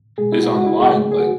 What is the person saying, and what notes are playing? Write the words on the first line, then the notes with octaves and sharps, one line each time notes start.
is on the line, like,
B2 G#3 G#4
E4
F#4
C#3 G#3 F#4
E4
G#4
C#3 F#3 A3
G#4
F#4